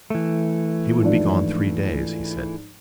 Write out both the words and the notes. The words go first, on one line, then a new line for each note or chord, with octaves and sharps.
He would be gone three days, he said.
E3 A3
G#2 F3 D4